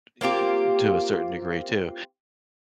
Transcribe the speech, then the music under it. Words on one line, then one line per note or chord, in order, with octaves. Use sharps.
eh, to a certain degree too,
A#3 C4 F4 G4